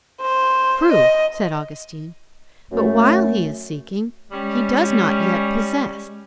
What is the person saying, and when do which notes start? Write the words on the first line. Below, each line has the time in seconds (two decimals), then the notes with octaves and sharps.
"True," said Augustine, "but while he is seeking he does not yet possess."
0.21 C5
0.91 D#5
2.72 F#2 A3
4.31 G3 G#3 C#4